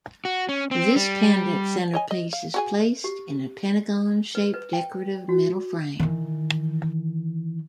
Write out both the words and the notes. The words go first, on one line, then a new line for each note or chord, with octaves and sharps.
This pendent centerpiece is placed in a pentagon shaped decorative metal frame.
F#4
C#4
C4
G3
C#5 D#5 G#5
D#5
F5
F#4 G#4 G#5
G4
B4
B4
G5
F#4
D#3 E3